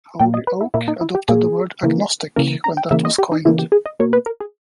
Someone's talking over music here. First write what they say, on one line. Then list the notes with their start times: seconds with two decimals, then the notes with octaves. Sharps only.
Holyoake adopted the word "agnostic" when that was coined.
0.19 A#2 A#3 G5
0.34 D#5
0.47 B4
0.61 E4
0.74 A#2 A#3 E4
0.88 D#4
1.01 E4
1.15 G4
1.29 A#2 A#3 G#4
1.83 C#3 E3 A#3
2.36 C#3 E3 A#3 A#4
2.64 A#5
2.77 G5
2.91 C#3 E3 A#3 E5
3.05 D#5
3.18 G4
3.32 D#4
3.45 C#3 E3 A#3 E4
3.59 G4
3.72 G#4
3.86 D#5
3.99 B2 A#3 C#5
4.13 B4
4.26 A#4
4.40 G#4